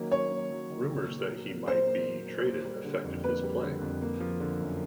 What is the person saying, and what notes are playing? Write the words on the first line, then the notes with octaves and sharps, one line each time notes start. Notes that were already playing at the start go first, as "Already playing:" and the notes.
Rumors that he might be traded affected his play.
Already playing: D#3 F#3 A#3 C#4
C#4 C#5
A#3
F#3
D#3
A#2
A#3
F#3
A#2
A#2 C5
A#3
F#3
A#2
A#3
G3
D3
F2
A#3 B4
G3
D3
F2
A#3
F3
D3
F#2